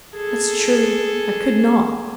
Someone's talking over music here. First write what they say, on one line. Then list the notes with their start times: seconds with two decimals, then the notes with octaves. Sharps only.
"That's true; I could not!"
0.17 G#4 A4